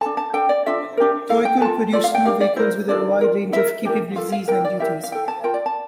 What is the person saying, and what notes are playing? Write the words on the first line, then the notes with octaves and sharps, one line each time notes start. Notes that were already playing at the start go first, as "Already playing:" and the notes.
Thiokol produced snow vehicles with a wide range of capabilities and duties.
D4 A4 A5
A5
D4 A4 G5
D5
D4 F4 A4 E5
D4 G4 A#4
E4 A4 F5
G5
F4 A4 A5
F4 A4 D5
F5
G5
D4 G4 A#4 F5
D5
E4 A#4 C5
D4 F4 A4 D5
F4 A#4
E4 A#4 E5
D4 G4 A#4
F4 A4 F5
F5
E4 A#4 G5
D5
E4 G4 A#4 E5
F5
E4 A4 G5
A5
F4 A#4 G5
D5
A5